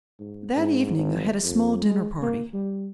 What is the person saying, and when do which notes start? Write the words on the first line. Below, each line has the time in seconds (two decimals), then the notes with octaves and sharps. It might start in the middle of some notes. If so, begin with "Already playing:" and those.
That evening I had a small dinner-party.
0.20 G#2
0.56 G#2
0.97 G#1
1.43 F2
1.84 G#3
2.22 A#3
2.54 G3